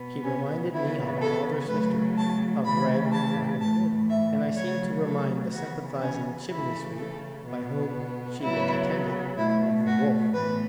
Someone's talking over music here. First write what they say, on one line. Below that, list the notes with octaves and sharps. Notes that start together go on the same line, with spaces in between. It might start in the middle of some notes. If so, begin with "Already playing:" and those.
She reminded me of an elder sister of Red Riding Hood, and I seemed to remind the sympathising Chimney Sweep by whom she was attended, of the Wolf.
Already playing: B2 B3
C#4
C#3 E3 B3 E4
A4
C#3 F#3 A3 B4
A5
C#3 E3 A3 B5
A5
A2 E3 A3 A5
E5
C#3 F#3 A3 C#5
A4
C#3 E3 B3 F#4
C#4
C#3 E3 A3 E4
A4
B2 B3
C#3 F#3 B3 E4
B2 A3 E4
F#4
A2 E3 B3 B4